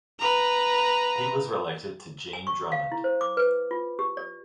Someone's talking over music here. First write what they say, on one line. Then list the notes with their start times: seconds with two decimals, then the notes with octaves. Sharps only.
He was related to Jean Drummond.
0.19 B4 A#5
2.33 G#5
2.47 C#6
2.72 F5
2.92 E4
3.04 C5
3.21 D6
3.37 B4
3.71 F4
3.99 G4
4.17 D5